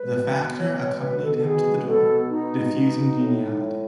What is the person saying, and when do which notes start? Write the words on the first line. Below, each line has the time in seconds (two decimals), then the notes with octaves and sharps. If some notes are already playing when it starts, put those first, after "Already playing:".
The factor accompanied him to the door, diffusing geniality.
Already playing: G#3 B4
0.16 B2
0.37 B3
0.58 B2 C#5
0.80 G#3 C#5
1.02 B2 B4
1.24 B3 A4
1.36 A4
1.44 B2 G#4
1.66 G#3
1.88 B2 A4
2.09 B3
2.31 B2 D#4
2.52 G#3
2.74 B2
2.95 B3
3.17 A2
3.38 G#3
3.59 A2